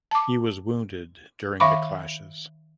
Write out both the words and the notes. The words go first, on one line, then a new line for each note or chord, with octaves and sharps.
He was wounded during the clashes.
A5 D6
D#3 E5 F5 B5 D6